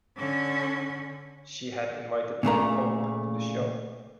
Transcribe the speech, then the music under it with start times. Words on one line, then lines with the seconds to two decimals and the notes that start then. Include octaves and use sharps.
She had invited Bob Hope to the show.
0.17 D3 C#4
2.43 A#2 C#3 A3 A#5